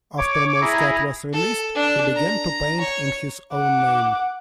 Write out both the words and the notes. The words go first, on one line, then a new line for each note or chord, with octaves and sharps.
After Malskat was released, he began to paint in his own name.
C#5 D6
E4 G#4 A#5
A4
D4
A#5
C#5
F#5 D6